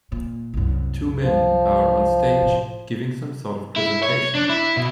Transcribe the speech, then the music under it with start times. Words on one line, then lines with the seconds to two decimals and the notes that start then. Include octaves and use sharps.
Two men are on stage giving some sort of presentation.
0.12 A#2
0.53 C2 F#2
1.21 F3
2.42 A2
3.76 E4
4.03 C#5
4.35 D4
4.49 E4
4.77 B2